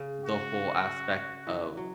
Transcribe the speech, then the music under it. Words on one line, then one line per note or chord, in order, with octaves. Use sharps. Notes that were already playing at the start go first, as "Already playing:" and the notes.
the whole aspect of
Already playing: C#3
F#4
E3
F#3